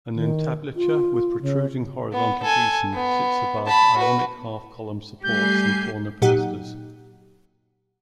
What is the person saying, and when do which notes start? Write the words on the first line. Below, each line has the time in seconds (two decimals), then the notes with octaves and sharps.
An entablature with protruding horizontal geison sits above Ionic half-column supports and corner pilasters.
0.15 D#3
0.76 F4
1.42 C#3
2.13 B3
2.43 A4 G#5
2.94 B3
3.67 A5 B5
3.97 F#4 B4
5.24 G3 A3 G4 G#5 G6 C7
6.22 A#2 F#3 D#4 G4 F#5